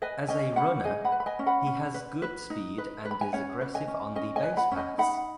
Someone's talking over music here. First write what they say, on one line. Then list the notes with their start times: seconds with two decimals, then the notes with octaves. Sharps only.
As a runner, he has good speed and is aggressive on the basepaths.
0.02 B4 D#5 G#5
0.28 C#4 D#5 G#5
0.56 C#4 F#5 B5
0.84 G#4 D#5 G#5
1.05 F#5 B5
1.12 B4
1.20 B5
1.26 D#5 G#5
1.39 C#4
1.46 F#5 B5
1.67 C#4
1.94 B4
2.22 B4
2.50 D#4
2.78 B4
3.05 B4
3.11 B5
3.21 G#5
3.33 C#4 C#5 F#5
3.61 B4
3.74 D#5 G#5
3.87 C#4
4.15 C#4 D#5 G#5
4.36 D#5 G#5
4.43 B4
4.57 F#5 B5
4.72 C#4
4.77 D#5 G#5
4.98 D#4 F#5 B5